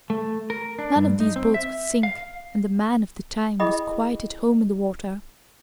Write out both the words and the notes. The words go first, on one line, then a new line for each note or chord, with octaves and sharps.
None of these boats could sink, and the man of the time was quite at home in the water.
A3
A#4
D4
G2
D#4
C4
E5
F5
E4 G#4 D#5 G5 B5 D#6